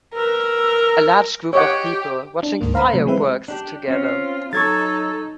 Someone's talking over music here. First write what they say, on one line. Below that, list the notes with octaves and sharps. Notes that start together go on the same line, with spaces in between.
A large group of people watching fire works together.
A#4 B4 E6 F6
G4 C#5 D#5 F#5
D4
D2 G#2 A#3
C5 F5 A#5 B5
C3 F#3 A3
E3 G#3 C4 B4 E5
D4 G4
C4 C#4 F4
F#3 D#4 A4 C#6 G#6 A6